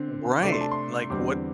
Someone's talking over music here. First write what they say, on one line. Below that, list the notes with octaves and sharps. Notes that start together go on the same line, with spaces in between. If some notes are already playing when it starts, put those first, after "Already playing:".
Right. Like, what
Already playing: D3 C4
C3 A3 D4 D6
C6
A5
C6
E2 D3 G3 C4 D6